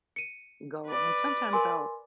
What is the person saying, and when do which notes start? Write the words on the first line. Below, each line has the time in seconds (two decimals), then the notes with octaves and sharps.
go, and sometimes I'll
0.16 C#7 D#7
0.87 B4 D5
1.53 A#4 G#5 C6